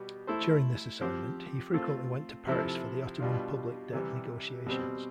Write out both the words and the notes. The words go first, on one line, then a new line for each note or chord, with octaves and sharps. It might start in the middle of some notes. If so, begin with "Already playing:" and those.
During this assignment, he frequently went to Paris for the Ottoman public debt negotiations.
Already playing: B2 G3 B3
A3 E4 A4 C5
F3 C4 G4 C5
A3 C4 F4 A4
C3 F3 C4 E4 A4
B2 G3 D4 F4
C3 E3 G3
B2 G3 C4